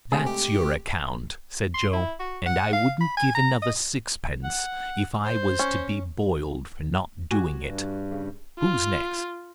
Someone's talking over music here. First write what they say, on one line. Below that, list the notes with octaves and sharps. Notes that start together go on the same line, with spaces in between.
"That's your account," said Joe, "and I wouldn't give another sixpence, if I was to be boiled for not doing it. Who's next?"
C3 G#3 A3 G#4
G4
C6
E4
F#4
F#5
F5
B5
G#5
A#5
D#5
F#5
C5
C#4
F#4 G4 G#5
G2
C#3
F4